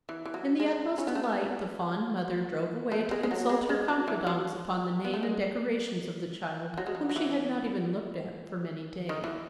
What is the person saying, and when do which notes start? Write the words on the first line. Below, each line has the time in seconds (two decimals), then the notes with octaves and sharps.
In the utmost delight the fond mother drove away to consult her confidants upon the name and decorations of the child, whom she had not even looked at for many days.
0.09 E3
0.26 E3
0.34 F#3
0.60 G#3
0.98 C#4
1.07 B3
1.15 A3
1.24 B3
2.92 A3
3.11 G#3
3.23 G#3
3.31 F#3
3.49 G#3
3.69 G#3
3.88 F#3
4.08 E3
4.27 F#3
5.05 B3
5.14 A3
5.23 G#3
6.78 F#3
6.87 G#3
6.95 F#3
7.09 F#3
7.16 E3
9.09 D#3
9.24 E3